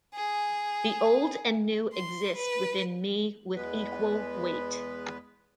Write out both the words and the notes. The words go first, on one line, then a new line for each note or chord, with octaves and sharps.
The old and new exist within me with equal weight.
G#4
C6
B4
E2 G#3 B3 B4